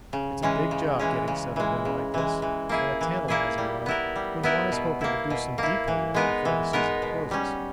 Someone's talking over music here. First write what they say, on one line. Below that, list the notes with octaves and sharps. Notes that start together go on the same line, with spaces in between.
It's a big job getting settled in like this and a tantalising one when one is hoping to do some depot work before the season closes.
C#3
E3 G#3 C#4
C#3
E3 G#3 C#4
C#3
E3 G#3
C#3
E3 G#3
E3
A#3 E4 G#4
E3
A#3 E4 G#4
G3
B3 E4 A#4
G3
B3 E4 A#4
B2
A#3 E4
B2
A#3 E4
E3
G#3 B3 D#4 A#4
E3
G#3 B3 D#4 A#4
B2
G3 C#4